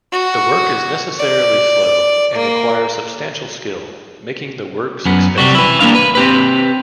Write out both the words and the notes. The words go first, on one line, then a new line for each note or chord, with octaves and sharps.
The work is necessarily slow and requires substantial skill, making the works expensive.
F#4
D5
A#3
F#2 B3
C3 G3 F#4
E4 B4
G3 A#3 C4 D4 F5
B4
C4 G4 B4